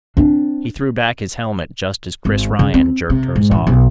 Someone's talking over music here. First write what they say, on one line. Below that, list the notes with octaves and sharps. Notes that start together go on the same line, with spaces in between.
He threw back his helmet just as Chris Ryan jerked hers off.
C4 D4
G#1
C#3
C4
C3
G#2
A1
B1